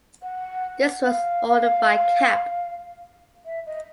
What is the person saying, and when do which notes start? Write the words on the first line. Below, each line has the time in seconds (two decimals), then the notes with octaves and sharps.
This was ordered by cap.
0.22 F#5
1.03 F#5
1.07 F5
3.45 E5
3.66 D#5